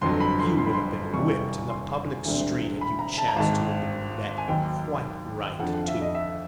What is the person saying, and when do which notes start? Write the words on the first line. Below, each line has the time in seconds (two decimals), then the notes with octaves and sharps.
You would have been whipped in the public street had you chanced to have been met, and quite right, too.
0.01 G1 F2 D3 F#3 C6
0.20 B5
0.39 C6
0.57 C6
0.66 B5
0.73 C6
1.13 F1 E2 C3 D#3 G3 C#6
1.69 C6
2.25 E1 D2 D3 G3 C4
2.81 B5
2.99 A#5
3.18 A5
3.28 A#5
3.36 G#1 G#2 D#3 A5
4.38 G#5
4.48 D#2 D#3 F#3 G5
5.59 F2 D3 F3 F#5
5.74 F#5
5.83 F5
5.88 E5
6.02 D#5
6.15 E5